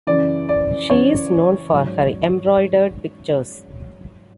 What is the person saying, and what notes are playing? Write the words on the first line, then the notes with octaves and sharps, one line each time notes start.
She is known for her embroidered pictures.
F#2 C#3 E3 D5
D5
F#2 C#3 E3 C#5
G#2 F#3